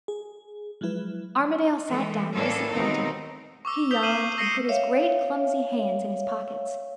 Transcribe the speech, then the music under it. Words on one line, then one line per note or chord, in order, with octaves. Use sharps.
Armadale sat down disappointed; he yawned, and put his great clumsy hands in his pockets.
G#4
F3 F#3 G#3 E4 B4
E3 G#3 A3
A2 E3 A#3 C#4 D4 A4
D#2 B2 C4 D#4
C#6 D6 E6
D#6 G6 B6 F7 G7
F6 C7 D#7 E7 F#7
E6 A#6 C7 C#7 D#7
C#5 E5 F5